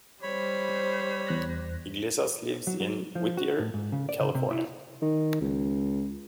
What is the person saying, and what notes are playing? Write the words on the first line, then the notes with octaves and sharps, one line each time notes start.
Iglesias lives in Whittier, California.
G3 C5 C#5 B5
E2 F#6 A#6
F#3
F#3
F3
F#4
A2
G#2
C#3
D5
C#3
C3
E4
D#3
C#2